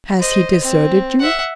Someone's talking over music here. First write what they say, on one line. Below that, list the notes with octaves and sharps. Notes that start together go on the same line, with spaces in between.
"Has he deserted you?"
C5 D#5
C4
E5 F#5